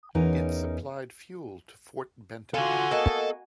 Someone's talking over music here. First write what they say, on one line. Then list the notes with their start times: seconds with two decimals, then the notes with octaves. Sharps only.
It supplied fuel to Fort Benton.
0.15 E2 C#4 D#4 A#4
2.54 F4 F#4 A4 F#5 G#5
2.91 A#3 B3 A4 D#5